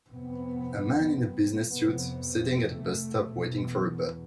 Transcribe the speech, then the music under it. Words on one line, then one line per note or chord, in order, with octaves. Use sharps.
A man in a business suit sitting at a bus stop waiting for a bus.
F2 C3 B3
F2 C3 B3
A3
E2 B2